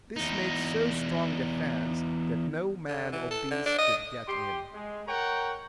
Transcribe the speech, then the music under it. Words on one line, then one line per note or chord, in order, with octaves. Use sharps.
This made so strong a fence that no man or beast could get in.
E2 D#4
D3
E3
A4
D3
D4
D#5
G4 C6
G#3
A#4 C#5 F#5 G5 A#5